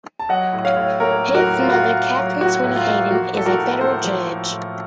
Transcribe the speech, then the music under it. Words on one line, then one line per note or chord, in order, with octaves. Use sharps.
His mother, Katharine Sweeney Hayden, is a federal judge.
A5
F#3 D#5 F#5
A2
C#5 F5
A2
A#3 A#4 C#5
F#3
F#4 A#4
A2
F4
A2 F#4
A#3
F#3
A2 F#4
A2
F4
A#3
F3 F#4
A2 A4
F#4 A#4
A2
A#3 A4 C5
F3
A2
A2